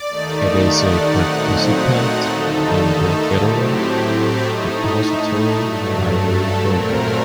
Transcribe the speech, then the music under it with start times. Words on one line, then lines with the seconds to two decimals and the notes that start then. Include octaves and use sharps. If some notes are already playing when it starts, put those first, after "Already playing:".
It is a participant in the Federal Depository Library Program.
Already playing: D5
0.09 D#2 D#3 A3 D#4
0.64 F#5
1.18 A#2 F#3 A3 C4 D#4 F#5
1.72 F#5
2.26 D#2 D3 A3 D#4 A4
3.35 A2 F#3 A3 C4 G4
3.90 G4
4.44 A2 A3 D#4
5.54 G2 F#3 A3
6.08 A4
6.61 A#2 F#3 A3 C4 A#4